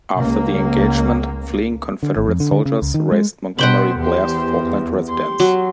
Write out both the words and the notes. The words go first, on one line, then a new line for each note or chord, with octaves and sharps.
After the engagement, fleeing Confederate soldiers razed Montgomery Blair's Falkland residence.
C#2 A#3
D3
G#1
F2
D3
D3
C#3
C#2
D#3
G#3
B2 B3 C5 F#5 G5 B5
E2 G4 C5
G4 C6
F#3